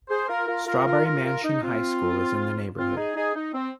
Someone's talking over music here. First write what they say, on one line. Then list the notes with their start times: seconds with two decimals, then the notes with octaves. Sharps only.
Strawberry Mansion High School is in the neighborhood.
0.10 G#4 C5
0.29 F4 A#4
0.48 F4 A#4
0.67 F4 A#4
0.86 F4 A#4
1.05 F4 A#4
1.25 F4 A#4
1.44 D#4
1.63 C4 F4
2.77 C4 F4
2.96 D#4 G#4
3.16 D#4 G#4
3.35 D#4
3.54 C4